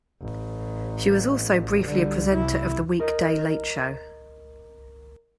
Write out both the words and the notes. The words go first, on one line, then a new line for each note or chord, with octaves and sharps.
She was also briefly a presenter of the weekday late show.
A1
D3 G3
C2 E4
A#4 D#5